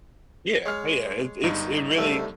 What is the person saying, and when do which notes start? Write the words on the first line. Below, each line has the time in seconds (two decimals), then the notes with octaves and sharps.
Yeah, yeah, it's it's it really
0.66 G#3 C#5 F6
1.43 G1 G2 D#4
1.97 C2 A3